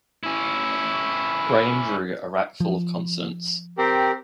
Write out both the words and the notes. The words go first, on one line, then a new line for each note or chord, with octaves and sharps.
Graham drew a rack full of consonants.
C#4 E4
F3
C4 G4 A#4